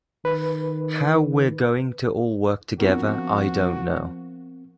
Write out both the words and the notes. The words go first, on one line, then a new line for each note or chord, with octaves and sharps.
How we're going to all work together I don't know.
D#3 B4
F3 B3 C4 D4 F4 F#4 A#4